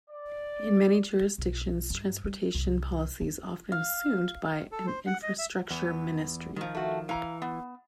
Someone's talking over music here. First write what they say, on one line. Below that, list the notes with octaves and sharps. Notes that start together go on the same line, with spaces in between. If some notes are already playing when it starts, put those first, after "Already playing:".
In many jurisdictions, transportation policy is often assumed by an Infrastructure Ministry.
D5
B1
G2
G3
C2
E2
F5
A4
C5
F#5
D#5
E5
E2 B3
D#3 F3
A3 F#4
E3 F5 A#5
B3